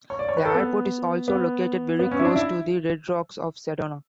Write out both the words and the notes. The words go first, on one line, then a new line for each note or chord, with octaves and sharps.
The airport is also located very close to the Red Rocks of Sedona.
C#5
D5
C#5
B4
A4
B3
B3
B3
C#4
E4
D4
E4